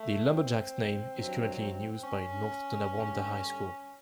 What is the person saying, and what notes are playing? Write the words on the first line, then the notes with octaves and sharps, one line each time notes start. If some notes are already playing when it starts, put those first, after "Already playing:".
The "Lumberjacks" name is currently in use by North Tonawanda High School.
Already playing: A3
C4
G2 D#3 F#3
C#4
G2 D3 G3